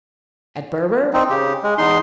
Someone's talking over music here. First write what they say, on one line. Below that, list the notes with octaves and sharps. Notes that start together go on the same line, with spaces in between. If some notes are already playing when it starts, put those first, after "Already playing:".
At Berber?
C4 D#4
C#3 G4
G#3
E2 D#4 C6